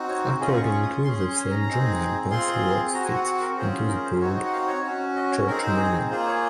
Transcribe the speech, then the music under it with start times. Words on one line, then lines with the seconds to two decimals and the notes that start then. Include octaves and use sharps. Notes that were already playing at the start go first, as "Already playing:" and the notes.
According to the same journal, both works fit into the broad church movement.
Already playing: C4 D#4 F#4
0.09 C#5
0.25 C5
0.40 C#4 F4 G#4 D#5
0.57 C#6
0.72 C#6
0.83 D#6
1.04 C#4 G#4 C6
1.20 C6
1.35 G#5
1.51 A#5
1.67 C4 D#4 G#4
2.30 C4 F4 G#4 C6
2.94 C4 F#4 A#5
3.04 G#5
3.15 F#5
3.25 F#5
3.41 A#4
3.57 C#4 F4 G#4 C5
3.89 A#4
4.05 C5
4.21 C4 D#4 F#4 C#5
4.36 D#5
4.45 F#5
4.53 F5
4.67 C#5
4.84 C#4 F#4
5.16 D#5
5.31 C#5
5.47 C4 D#4 G#4 A#4
5.63 C5
6.10 A#3 F4 G#4 C5
6.27 C#5